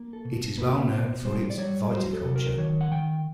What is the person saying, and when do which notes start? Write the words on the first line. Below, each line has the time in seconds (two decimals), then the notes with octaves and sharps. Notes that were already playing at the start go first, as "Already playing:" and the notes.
It is well known for its viticulture.
Already playing: A#3
0.13 A4
0.25 B2
0.58 A#3 B4
0.91 B2 C5
1.25 G3 C5
1.50 D5
1.58 G3 C#5
1.91 F#3 C5
2.13 A4
2.24 C3
2.36 A#4
2.58 D#3 C#5
2.81 F#5
2.91 D#3 G5